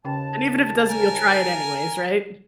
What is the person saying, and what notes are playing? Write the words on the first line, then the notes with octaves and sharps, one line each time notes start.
And even if it doesn't, you'll try it anyways, right?
D#2 C#3 C#4 G5 A5
A#4 G#5